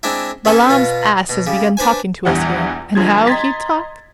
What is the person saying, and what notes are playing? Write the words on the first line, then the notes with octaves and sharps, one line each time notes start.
Balaam's ass has begun talking to us here--and how he talks!
G#3 C4 D4 E4
B3 C#4 E4 G#4 A4
B2 B3 F4
B2
C#3 G3
D4 B4 C5 G#5
A#1 E2 E3 G3 F#5
G1 G2 F3 G#3 G#6
D#5 A#5 C6 G#6 A6 B6